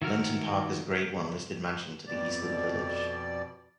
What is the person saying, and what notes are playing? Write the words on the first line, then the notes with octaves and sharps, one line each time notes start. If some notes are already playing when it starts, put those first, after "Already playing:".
Linton Park is a Grade One listed mansion to the east of the village.
D#3 E4 F#4 A#4 F6
F2 B2 D5